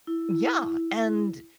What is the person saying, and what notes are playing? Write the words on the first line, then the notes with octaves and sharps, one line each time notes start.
Yeah, and
E4